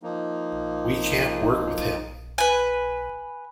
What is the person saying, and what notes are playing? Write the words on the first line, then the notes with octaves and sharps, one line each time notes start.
We can't work with him.
F3 A#3 D#4
B4 G#5